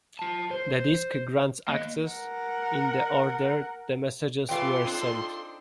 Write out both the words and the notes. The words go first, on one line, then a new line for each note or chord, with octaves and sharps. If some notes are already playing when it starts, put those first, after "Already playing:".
The disk grants access in the order the messages were sent.
F4 A5
C5
A#3 D#5
A#4 F#5
E3 A3 F4 A4 F5 G5 C6
C4 D4 D#4